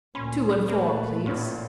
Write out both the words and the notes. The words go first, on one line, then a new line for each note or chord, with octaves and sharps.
"Two-and-four, please."
D2 A#2 C#4 B5 C6
A#2 A3 A#3 B4
A#1 A2 C#4 F4